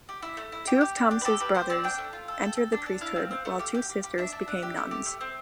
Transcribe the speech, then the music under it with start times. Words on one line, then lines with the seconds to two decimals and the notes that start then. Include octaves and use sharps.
Two of Thomas's brothers entered the priesthood, while two sisters became nuns.
0.09 G4
0.22 E4
0.37 A3
0.52 E4
0.67 G4 G5
0.81 G4
0.97 D4
1.11 G4
1.21 B4
1.25 G4 A4
1.40 G4 B4
1.54 G4 C5
1.70 C4 D5
1.84 D4 G5
1.98 A3
2.13 F4
2.28 A4
2.43 A4
2.57 A4
2.72 D4
2.86 D4
3.01 E4 F5
3.16 C4
3.31 C4
3.45 A3
3.59 G4
3.75 G4
3.89 G4
4.04 G4
4.18 D4 E5
4.32 D4
4.48 D4
4.63 G4
4.77 A3
4.91 G4
5.06 A3
5.21 C4